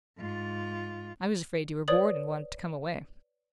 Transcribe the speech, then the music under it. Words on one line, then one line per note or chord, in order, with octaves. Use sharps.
"I was afraid you were bored and wanted to come away."
G#2 F4
B4 C#5 D5 D#6 F#7